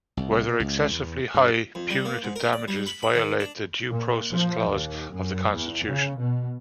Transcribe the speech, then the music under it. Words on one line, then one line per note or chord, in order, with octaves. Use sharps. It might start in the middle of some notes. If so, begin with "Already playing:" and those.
Whether excessively high punitive damages violate the Due Process clause of the Constitution.
C2
B2
C#2
E2
G2
F2
G3
A#3
G#2
A#4
D5
G3
B5
B5
D#3
D4
A#2
F3
D#2
F#2
E2
C#3
B2